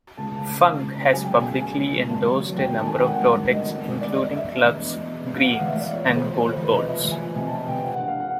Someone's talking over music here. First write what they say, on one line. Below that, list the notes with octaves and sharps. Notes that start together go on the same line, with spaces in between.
Funk has publicly endorsed a number of products including clubs, greens, and golf balls.
C#2 A5
C#3 A5
C#2
C#2
C#2
C#2
F#3 G#5
G5
C#3
G#5
C#2
C#2 G#5
C#2
C#2
G#1 A5
F#3
F#3
G#1 G5
D#3 A5
D#3 G#5
G5
G#1 F#5
G2
G#1
G#1 D#5
G#1
G#1
E1 D5
E1 D#5
D5
E1 E5
E1
E2
E1
E1
E1
E1
F5
E1 F#5
E2 F5
E5
E2 D5
F3 C#5
E2
C5
E2
F3 C#5
E2 C5
B4
C3 D#5
F3 E5
E2
G#5
F3
C3 G#5
A5
F3 G#5
C3 G5
A#2 F#5
A#1 F#5
F5
F#5